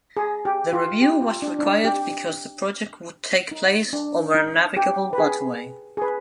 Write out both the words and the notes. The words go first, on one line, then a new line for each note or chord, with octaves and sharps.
The review was required because the project would take place over a navigable waterway.
G#4
G4
F4
G4
F4
D4
D4
D#4
G4
D#4
D4
D#4
G4
B4
G#4
G#4
B4